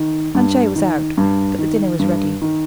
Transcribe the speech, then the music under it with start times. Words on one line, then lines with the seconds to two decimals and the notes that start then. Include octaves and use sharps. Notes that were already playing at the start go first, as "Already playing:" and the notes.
Planchet was out, but the dinner was ready.
Already playing: D#3
0.35 G2
0.76 D#3
1.18 G2
1.59 D#3
1.99 G2
2.42 D#3